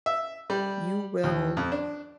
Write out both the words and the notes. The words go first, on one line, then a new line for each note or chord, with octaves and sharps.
you will
E5
G3
D#2
F2
D4